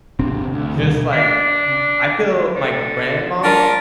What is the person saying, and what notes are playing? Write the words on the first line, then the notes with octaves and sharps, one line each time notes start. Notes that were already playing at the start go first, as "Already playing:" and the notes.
just like m I feel my grandma
G#1 C3 C4 D4
D2
G2 B2 D3 D#3
D4
D3
C#4 D4 F4 A#4